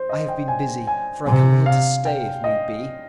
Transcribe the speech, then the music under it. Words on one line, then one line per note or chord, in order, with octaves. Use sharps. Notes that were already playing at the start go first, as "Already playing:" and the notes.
I have been busy, for I come here to stay if need be.
Already playing: C5
D#5
G5
G#5
G#5
C3 G#5
F5
G5
D#5